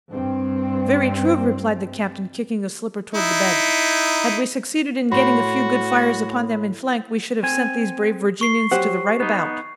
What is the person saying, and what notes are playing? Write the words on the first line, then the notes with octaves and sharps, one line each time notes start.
"Very true," replied the captain, kicking a slipper towards the bed. "Had we succeeded in getting a few good fires upon them in flank, we should have sent these brave Virginians to the right about."
G2 C4
D#4 E4
A2 F#4 C#5 B5 C6
C4 G#5
C#6 C7
F#3 G4 C5 F#5
B3 D#4